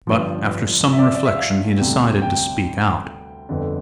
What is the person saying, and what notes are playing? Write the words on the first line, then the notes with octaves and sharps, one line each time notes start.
But, after some reflection, he decided to speak out.
G1 G2 F3
E5
D5
E5
D5
E5
F5
D2 C3 G3
G5
G1 F2 D3